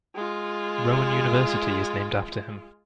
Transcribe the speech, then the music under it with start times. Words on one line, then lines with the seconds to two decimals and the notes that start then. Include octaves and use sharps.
Rowan University is named after him.
0.15 G#3 F4